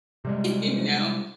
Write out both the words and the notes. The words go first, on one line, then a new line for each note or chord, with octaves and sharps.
you know,
C3 G3 G#3